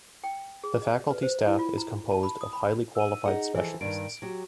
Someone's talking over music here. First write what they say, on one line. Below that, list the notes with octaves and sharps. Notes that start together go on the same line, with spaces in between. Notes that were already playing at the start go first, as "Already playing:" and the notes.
The Faculty staff is composed of highly qualified specialists.
G5
G#4
D#5
B4
C5
E4
F4
A#5
A5
B5
D#6
B5
E6 D#7
D#4 G#4 D#5 F#5
E3 F3 A4
G2 D#3 D7
F#3 G4